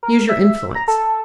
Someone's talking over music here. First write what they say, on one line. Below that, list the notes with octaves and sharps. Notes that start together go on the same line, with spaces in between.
Use your influence.
A#4
E5
A#5
A4